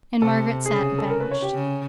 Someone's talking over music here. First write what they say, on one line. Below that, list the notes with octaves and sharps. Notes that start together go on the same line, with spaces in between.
And Margaret sate abashed.
C3 A4
C#3 G#4
A4
A#4
B4
C#5
G4
C#3